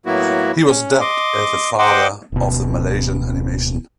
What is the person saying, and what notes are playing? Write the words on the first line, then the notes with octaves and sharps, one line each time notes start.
He was dubbed as the "Father of the Malaysian animation".
A2 F#3 A#3 B3 E4 F#4
C#4
D#5 C6 D6
C5 D#5 F#5 G5 C6 D6
D1 B2